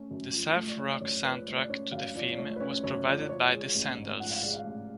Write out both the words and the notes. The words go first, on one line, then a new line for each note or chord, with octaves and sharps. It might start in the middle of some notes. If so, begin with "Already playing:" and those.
The surf rock soundtrack to the film was provided by The Sandals.
Already playing: A3 C#4
F#2
F3
A3
D5
C#4 C#5
D5
F#2 C#5
F3 B4
A3 C#5
D5
C#4 C#5
F#2 F5
F3 D5
C#5
D5
A3 C#5
B4
C#4 C#5
F#2 C#5
F3 D5
D5
F3 C#5
G#3
A1
G#2
F3 F#5
F5
G#3 D5
F5
A1